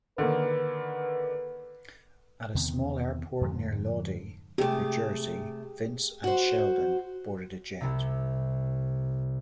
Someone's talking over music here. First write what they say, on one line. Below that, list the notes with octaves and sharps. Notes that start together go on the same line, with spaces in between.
At a small airport near Lodi, New Jersey, Vince and Sheldon board a jet.
D3 D#3 A#3 B4
E2 C3 D#3 B3
F2 G#2 D3 F3
C3 A3 G4 G#4
F#4 C5
C2 C3